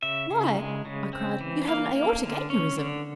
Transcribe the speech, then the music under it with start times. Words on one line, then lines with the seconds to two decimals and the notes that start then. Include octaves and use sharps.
"Why," I cried, "you have an aortic aneurism!"
0.03 C#3 E5
0.30 C#3
0.59 G#3
0.85 C#3
1.13 C4
1.41 E3
1.68 A#3 F5
1.95 A#3
2.23 D3
2.50 C#4
2.78 D3